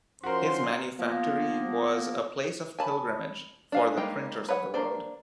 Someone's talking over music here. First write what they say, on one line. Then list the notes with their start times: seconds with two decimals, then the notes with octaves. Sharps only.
His manufactory was a place of pilgrimage for the printers of the world.
0.24 F3 C#4 F#4 A#4 C5 C6
0.98 F3 A#3 B3
2.79 G#5 A5 B5
3.72 D4 F5 G#5
3.97 G3 G#3 A#3 D#4 G5
4.49 B4 C#5 F#5
4.74 A#3 D4 C5 D5